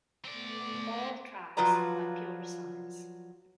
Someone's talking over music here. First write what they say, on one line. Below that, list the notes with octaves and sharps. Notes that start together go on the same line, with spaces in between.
All tracks by Pure Science.
A3 B3 C4 D5
F3 F#3 F4 B4 D5 A#5